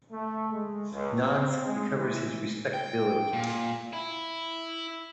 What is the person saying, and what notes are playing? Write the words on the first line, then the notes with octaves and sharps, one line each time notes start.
Noggs recovers his respectability.
A3
G#3
C#2
C4
G#3
E3
G5
A#2
E4